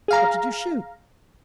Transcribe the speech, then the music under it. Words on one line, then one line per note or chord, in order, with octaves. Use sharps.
'What did you shoot?
G#4 F5 A#5